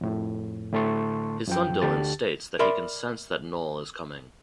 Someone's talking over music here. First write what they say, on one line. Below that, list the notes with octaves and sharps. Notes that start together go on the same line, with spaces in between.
His son Dylan states that he can sense that Knull is coming.
F2 A2
A2 D3 A3 A5 C6 C#6
F#2 F3 G5
D2 D3 G4 A5 A6
A#4 D5 E5 B5 C6